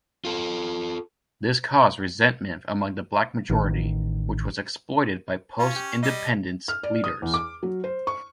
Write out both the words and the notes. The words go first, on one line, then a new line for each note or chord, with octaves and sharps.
This caused resentment among the Black majority, which was exploited by post-Independence leaders.
F4 A4
A1 D#3
C#4 F4
G4
G3 D#5
F6
D5
D#6
E2
D6
F#3
C5
C#6